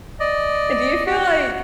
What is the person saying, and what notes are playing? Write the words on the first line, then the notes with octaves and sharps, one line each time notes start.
And do you feel like
D5 D#5
F#4